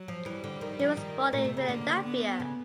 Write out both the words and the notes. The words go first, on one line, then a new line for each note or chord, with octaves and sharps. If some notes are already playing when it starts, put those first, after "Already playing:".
He was born in Philadelphia.
Already playing: F#3
F3
E3 G3
D3
D#3
F3
D#3
A#2 A3
C3
C#3
D3 A#3
B3
C#3